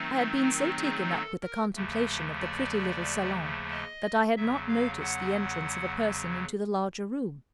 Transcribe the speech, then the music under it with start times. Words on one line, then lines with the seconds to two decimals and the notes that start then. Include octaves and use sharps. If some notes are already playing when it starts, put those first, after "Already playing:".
I had been so taken up with the contemplation of the pretty little salon that I had not noticed the entrance of a person into the larger room.
Already playing: D#3 F#3 A3 C4 D#4
0.44 A#4
0.76 G#4
1.10 A4
1.42 A#4
1.74 D#2 C#3 F3 A3
2.40 D5
3.71 D#5
4.36 E2 C#3 F#3 E5
4.68 F5
5.01 F#5